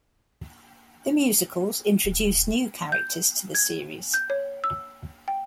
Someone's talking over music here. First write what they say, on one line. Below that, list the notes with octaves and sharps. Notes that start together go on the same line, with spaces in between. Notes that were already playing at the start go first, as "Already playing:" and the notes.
The musicals introduce new characters to the series.
D#1
G6
G#6
G6
C#5
E6
G5